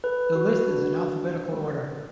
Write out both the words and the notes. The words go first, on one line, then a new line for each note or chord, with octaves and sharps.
The list is in alphabetical order.
A4 B4
F#4
D4